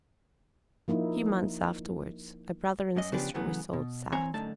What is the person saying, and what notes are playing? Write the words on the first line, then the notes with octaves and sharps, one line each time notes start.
A few months afterwards a brother and sister were sold south.
F3 A#3 D#4 E4
F#2 F#3 D#5
C#3 F3 B3 D4 G4 B4
C#3 E3 F#3 A3 B3
B2
E3 C4 C#5 G#5 A#5
F#2 D3 A3 D#4 A5